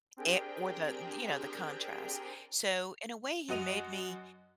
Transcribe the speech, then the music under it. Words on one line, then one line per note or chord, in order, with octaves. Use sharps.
A or the, th you know, the contrast. So, in a way, he made me
C4 D4 G4 G#4 A#4 G5
F#2 F#4 D#5 D#7 F7